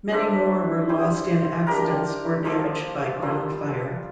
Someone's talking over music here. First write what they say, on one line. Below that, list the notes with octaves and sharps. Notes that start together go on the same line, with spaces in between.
Many more were lost in accidents or damaged by ground fire.
D4 A4 C5 E5
E4 G4 C5
D4 G4 A#4
F3 A#3 F4 A4
G3 A#3 F4 A4